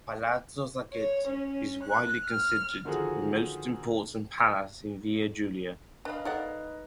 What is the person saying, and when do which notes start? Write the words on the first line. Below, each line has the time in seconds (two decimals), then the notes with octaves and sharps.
Palazzo Sacchetti is widely considered the most important palace in Via Giulia.
0.93 C#5
1.28 C#4
1.83 F#6
2.26 F6
2.85 D3 D#3 F3 F#4 G#4
6.05 D4 A#4 B4 D#5 F5
6.25 D#4 A4 B4 D5 D#5 F#5